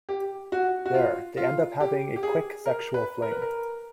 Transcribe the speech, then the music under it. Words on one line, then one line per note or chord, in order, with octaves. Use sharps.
There, they end up having a quick sexual fling.
G4
F#4
F#4
F4
F4
G4
G4
G#4
A#4
B4
A#4
B4
A#4